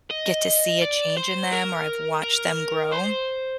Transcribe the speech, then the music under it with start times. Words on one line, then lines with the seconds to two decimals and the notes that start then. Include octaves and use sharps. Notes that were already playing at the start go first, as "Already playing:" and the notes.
get to see a change in them or I've watched them grow.
0.11 D#5
0.82 D5
1.17 C5
1.53 A#4
2.23 A#4
2.92 C5